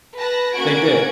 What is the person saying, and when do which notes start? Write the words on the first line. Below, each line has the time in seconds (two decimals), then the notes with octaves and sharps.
They did.
0.17 B4 A5 A#6
0.54 A#3 C#4 F#4 F#5 G#6 D7